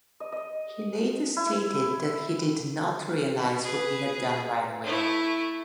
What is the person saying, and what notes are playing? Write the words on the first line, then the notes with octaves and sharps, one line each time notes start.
He later stated that he did not realize what he had done right away.
D#5
D#5
E4
G#4 B4
A3 E4